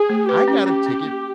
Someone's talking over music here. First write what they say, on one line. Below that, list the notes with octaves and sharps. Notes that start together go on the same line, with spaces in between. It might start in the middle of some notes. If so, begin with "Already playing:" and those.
I got a ticket
Already playing: G#4
A3
G4 B4
C#4
C#4 G4
C#4
A#3